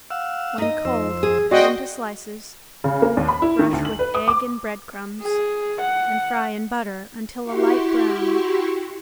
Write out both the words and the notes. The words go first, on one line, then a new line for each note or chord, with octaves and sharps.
When cold cut into slices, brush with egg and bread crumbs and fry in butter until a light brown.
F5 F#5 E6
D#4 D#5
F2 C5 E6
G#4
C4 F#4 G#4 D5 D#5 G5 C6
C#3
A#3
D#2
B5
E4
D#3
D2
F#7
B4
D#6
D6
G#4
F#5
E4 F#4 G4 C6 C#6